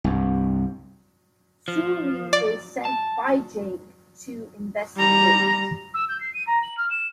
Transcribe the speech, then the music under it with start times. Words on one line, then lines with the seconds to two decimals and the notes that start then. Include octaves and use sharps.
Sully is sent by Jake to investigate.
0.04 C2 G2
1.68 F3
2.33 D5
2.85 A5
4.97 G3 A#5
5.94 E6
6.08 G6
6.20 C7
6.33 D#7
6.47 A#5
6.62 F#7
6.77 F6
6.90 E7